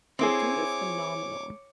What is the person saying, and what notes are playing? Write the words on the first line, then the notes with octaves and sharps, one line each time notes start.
The dude is phenomenal.
C4 E4 G#4 C#5 D6